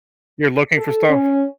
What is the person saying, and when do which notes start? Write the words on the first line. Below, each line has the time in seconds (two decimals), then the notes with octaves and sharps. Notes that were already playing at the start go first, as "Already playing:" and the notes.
You're looking for stuff?
0.76 A4
1.09 C#4